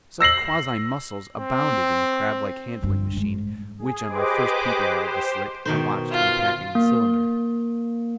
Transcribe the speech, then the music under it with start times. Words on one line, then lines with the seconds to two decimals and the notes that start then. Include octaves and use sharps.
Such quasi-muscles abounded in the crablike handling-machine which, on my first peeping out of the slit, I watched unpacking the cylinder.
0.20 E6 A#6 C7 F#7
1.37 C4
2.82 G2 D3
3.17 G#2
3.78 G#4
4.08 G4 G#4 B4 C5 D#5 D6
4.93 G4 C5
5.65 B2 D#3 C5
6.12 F4
6.75 A#3